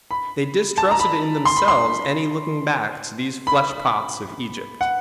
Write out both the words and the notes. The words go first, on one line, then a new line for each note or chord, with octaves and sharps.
They distrusted in themselves any looking back to these flesh-pots of Egypt.
B5
A5
A#5
B5
C6
B5
C6
B5
F#5